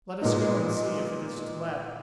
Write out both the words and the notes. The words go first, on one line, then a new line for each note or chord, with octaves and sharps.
"Let us go and see if it is to let."
A#2 G#3 B3 D#4